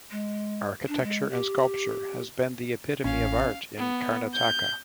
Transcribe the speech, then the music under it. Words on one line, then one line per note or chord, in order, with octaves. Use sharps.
Architecture and Sculpture has been the epitome of art in Karnataka.
G#3
D4
G#3
G4
A1 C#4 F5
B3
G6